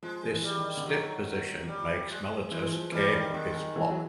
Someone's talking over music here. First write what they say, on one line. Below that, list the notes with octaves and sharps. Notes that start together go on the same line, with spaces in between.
This stiff position makes Meletius care for his flock.
F3 G#3
E3
G3
D#3
D3
D#3 F#3
G3
G#3
E3 G#3
E3
F3
E3 G3
D#3
D#3 G#3
D#3
E3
F#3